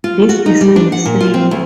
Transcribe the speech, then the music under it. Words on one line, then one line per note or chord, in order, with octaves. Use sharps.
This is insane.
F4
F#4
D#4
G3
D4
F#5
A#2
F4
C4
D2